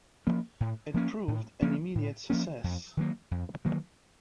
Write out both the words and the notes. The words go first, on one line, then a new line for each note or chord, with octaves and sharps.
It proved an immediate success.
F3 A#3 C#4
A2
F3 A#3 C#4
A2
F3 A#3 C#4
A2
F3 A#3 C#4
F2
D#3 F#3 A#3
F2
D#3 F#3 A#3